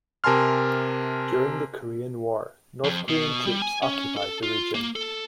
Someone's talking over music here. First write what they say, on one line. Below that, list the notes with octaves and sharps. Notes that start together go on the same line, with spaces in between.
During the Korean War, North Korean troops occupied the region.
C3 A#4 G#5 A5 C6 F6
F2
B2
G3
G#5
C#4
A4
F4
A#3
A4